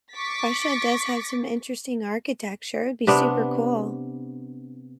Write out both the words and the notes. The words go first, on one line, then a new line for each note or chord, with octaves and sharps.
Russia does have some interesting architecture, it'd be super cool.
C#6 D6 A6 B6
C3 B3 D4